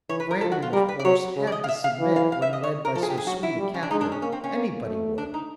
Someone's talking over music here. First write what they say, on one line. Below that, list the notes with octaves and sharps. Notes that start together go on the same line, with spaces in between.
Brandon, of course, had to submit when led by so sweet a captor--anybody would.
E3 C#5
B4
A#4
F3 A4
F#4
F4
G3 A#4
B4
D5
F#3 C#5
C#3
D5
D#5
F5
E5
F5
E3
F5
F5
E5
D#5
C#5
A#4
F3 A4
G#4
G4
G#4
F#3 F#4
E4
G3
C#4
D4
G#3 D#4
D4
C#4
A#3 C#4
C4
C#4
A#3
A3
D4
D#4